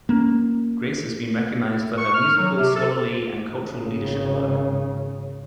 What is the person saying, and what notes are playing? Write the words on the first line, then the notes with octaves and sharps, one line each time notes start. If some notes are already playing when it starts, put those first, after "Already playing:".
Grace has been recognized for her musical, scholarly, and cultural leadership work.
A#3 C#4
C#6
F6
F#3
C3
A4
G#1 C#3